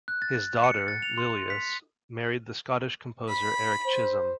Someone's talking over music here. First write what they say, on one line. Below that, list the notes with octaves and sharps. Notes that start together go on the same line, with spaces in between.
His daughter, Lillias, married the Scottish composer Erik Chisholm.
F#6
A6
C#7
A6
F7
C6
B6
B5
C5